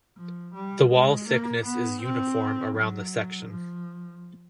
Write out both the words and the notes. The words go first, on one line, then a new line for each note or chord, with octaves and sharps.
The wall thickness is uniform around the section.
F3
G3
G#3
A#3
B3
C4
F#3
F3